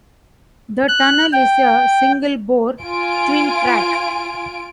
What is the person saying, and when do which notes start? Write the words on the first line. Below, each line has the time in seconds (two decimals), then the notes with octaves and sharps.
The tunnel is a single bore twin track.
0.88 F#6
1.33 G5
2.82 F4 G#5 D7